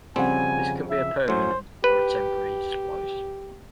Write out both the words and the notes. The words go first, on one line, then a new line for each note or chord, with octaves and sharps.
This can be a permanent or temporary splice.
F2 C#3 G3 C4 F#5 G#5
E5
A2 F#3 C#4 C5
G4 B4